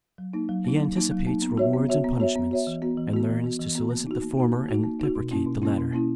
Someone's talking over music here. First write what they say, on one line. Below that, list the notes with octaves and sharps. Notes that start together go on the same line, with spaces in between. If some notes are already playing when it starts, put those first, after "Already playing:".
He anticipates rewards and punishments, and learns to solicit the former and deprecate the latter.
F#3
A#3 D#4
F#3
A#3 D#4
F#3
A#3 D#4
F#3
A#3 D#4
B3
F#4 C#5 E5
B3
F#4 C#5 E5
B3
F#4 C#5 E5
B3
F#4 C#5 E5
E3
B3 F#4
E3
B3 F#4
E3
B3 F#4
E3
B3 F#4
A#3
D#4 F#4
A#3
D#4 F#4
A#3
D#4 F#4
A#3
D#4 F#4
B2
A#3 C#4 E4
B2
A#3 C#4 E4
B2
A#3 C#4 E4